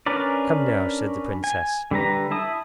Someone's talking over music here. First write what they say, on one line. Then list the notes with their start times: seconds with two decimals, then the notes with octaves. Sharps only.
"Come now," said the princess.
0.06 C#4 D4 A#4 B4 D5
1.44 G#5
1.91 D3 G3 B4 A#5
2.31 E4 A5 D#6